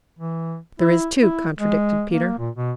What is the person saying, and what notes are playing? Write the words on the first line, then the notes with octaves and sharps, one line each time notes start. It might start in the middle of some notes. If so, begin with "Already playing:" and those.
"There is too," contradicted Peter.
E3
E4
E4
G#3
A#3
A#2
B2